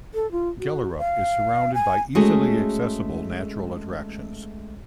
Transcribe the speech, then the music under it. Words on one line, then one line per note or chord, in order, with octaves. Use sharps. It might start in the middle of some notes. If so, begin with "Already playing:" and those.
Gellerup is surrounded by easily accessible natural attractions.
A4
F4
F#4
F5
G#5
G#3 A3 C#4 F#4 G#4